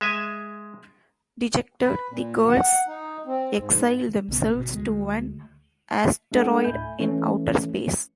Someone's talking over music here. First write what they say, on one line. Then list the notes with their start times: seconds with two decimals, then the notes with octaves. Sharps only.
Dejected, the girls exile themselves to an asteroid in outer space.
0.01 G#3 E5 G#5
1.82 B4
2.11 A#2
2.47 F#5
2.87 D#4
3.26 C4
3.58 G#2
4.28 B1 C#3 B3
4.53 G#1 B2
4.72 D2 G#3
6.32 G#3 A3 D4 A4 D#5 F#5
6.64 D2 A2 E5 G#5 B5 G6
6.99 E3 A3 C#4 E4